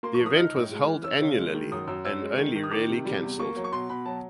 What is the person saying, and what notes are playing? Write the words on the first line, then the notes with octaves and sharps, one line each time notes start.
The event was held annually and only rarely cancelled.
A#3 C6
C#6
F3
D#6
D#4 F6
A2
G#3
E3
C#4 E6
C#3
G#3
D#3
F#2 D#6
F#2 E6
C#4 E6
G#3
D#3
D#3
D#6
D#3 D6
C3
G3
E2
A#3 C#6
F#3
C#6
B2 C6
B2 B5
F#3 A5